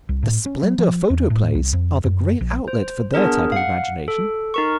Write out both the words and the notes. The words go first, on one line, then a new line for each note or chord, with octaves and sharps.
The Splendor Photoplays are the great outlet for their type of imagination.
C2
A2
C#4
F#3
F3
E2
A2
C2
F2
F#2
A#1
C5
B3 D4 G#4 A#4
F5 F#5
A4
D#4 A#4 C#6